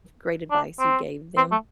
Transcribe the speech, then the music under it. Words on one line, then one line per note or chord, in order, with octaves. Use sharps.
great advice you gave them?
D4
C4
C4
A3